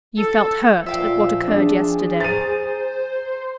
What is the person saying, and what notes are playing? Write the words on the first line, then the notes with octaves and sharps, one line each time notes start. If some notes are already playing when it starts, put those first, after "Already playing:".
You felt hurt at what occurred yesterday!
A4
A#2 F3 E5 F5 G5
D4 G#4
C5 A#5 G6 A6 D#7